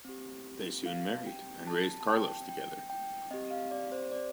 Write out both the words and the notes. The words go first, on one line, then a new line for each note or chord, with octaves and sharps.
They soon married, and raised Carlos together.
C4 G4
F5
G5
A5
A5
G5
G5
G5
C4 G4 D#5
F5
D5
C5
D5